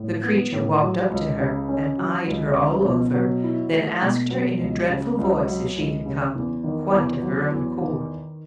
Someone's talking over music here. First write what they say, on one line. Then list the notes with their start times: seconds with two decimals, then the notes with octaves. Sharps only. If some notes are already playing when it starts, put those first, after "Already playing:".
The creature walked up to her, and eyed her all over--then asked her in a dreadful voice if she had come quite of her own accord.
Already playing: A2
0.23 B3
0.52 A2
0.82 F#3
1.10 C#2
1.40 C#3
1.69 C#4
1.98 F#3
2.27 C#2
2.56 C#3
2.85 B2
3.14 F#3
3.43 E4
3.73 A3
4.02 B2
4.30 F#3
4.60 C#2
4.89 C#3
5.18 C#2
5.47 F#3
5.76 C#2
6.06 C#3
6.35 E2
6.64 D#3
6.92 E2
7.22 F#3
7.51 E2
7.81 D#3